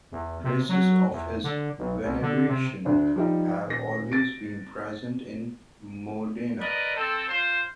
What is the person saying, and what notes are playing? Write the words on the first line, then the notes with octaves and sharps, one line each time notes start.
Traces of his veneration have always been present in Modena.
E2
C3
F#3
E2
D3
B1
C2
D3
C3
D2 D4
F3 G3 D#4
D#1 A#6
A6 D7
A#4 B4 D5 D#5
C4 A4
F4 C5